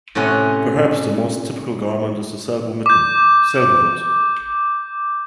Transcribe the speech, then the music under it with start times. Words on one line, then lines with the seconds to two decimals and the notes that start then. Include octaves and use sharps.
Perhaps the most typical garment is the Selbu mitten, "selbuvott".
0.15 A2 C3 C#4 F#5
2.86 D6 G6